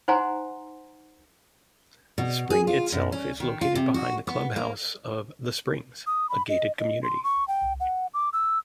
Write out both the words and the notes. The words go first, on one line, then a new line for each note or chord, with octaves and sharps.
The spring itself is located behind the clubhouse of "The Springs", a gated community.
D#4 C5 F#5 G#5 A#5 C6
B2
G#4
F4
F#2
C#4
D#3
F4
C3
F#4
B3
A#3
D#6
B5
D#5
D#5
C6
C#6
G5
F#5
D6
E6